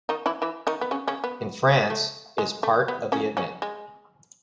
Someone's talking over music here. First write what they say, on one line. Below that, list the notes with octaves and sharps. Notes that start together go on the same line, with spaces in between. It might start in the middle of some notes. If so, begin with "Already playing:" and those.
In France, is part of the event.
D#3 D#4
E3 E4
E3 E4
D#3 D#4
B3
C#3 C#4
C#3 C#4
B3
A3
G#3
A3
B3
C#3 C#4
C#3 C#4
G#3